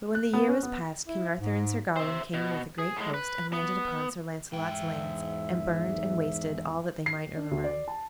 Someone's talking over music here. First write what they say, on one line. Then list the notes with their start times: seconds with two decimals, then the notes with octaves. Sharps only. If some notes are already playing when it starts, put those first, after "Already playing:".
But when the year was passed, King Arthur and Sir Gawain came with a great host, and landed upon Sir Launcelot's lands, and burned and wasted all that they might overrun.
0.15 F#6
0.33 B3
0.48 C#4
0.63 B3
1.08 E4
1.37 G#2
1.96 C5 E5
2.34 B2
2.78 G#4
2.97 A2 G#3
3.14 B4
3.53 B3
4.53 E2 G#2 E5 G5
7.06 C7
7.37 D4
7.51 D2
7.64 D5
7.88 A5